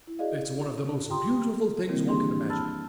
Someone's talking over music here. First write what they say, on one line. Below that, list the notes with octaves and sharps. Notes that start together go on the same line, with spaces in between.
It's one of the most beautiful things one could imagine.
E4
F#4 G#4 D5 D#5 F5
F4 G4 G5 A#5 C6 D#6
D#3 G3 A#3 C4 E4 A#4
E3 D4 G4 G#4 C6
A5 B5 E6 F6 A6